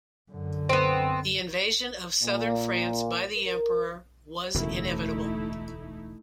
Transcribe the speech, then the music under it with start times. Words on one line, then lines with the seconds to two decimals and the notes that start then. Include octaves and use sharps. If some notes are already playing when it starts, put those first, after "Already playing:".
The invasion of southern France by the Emperor was inevitable.
0.31 F#2 D3
0.69 B3 C4
2.24 A#2
3.37 A#4
4.55 E1 D2 C#3 A3 D#4 E4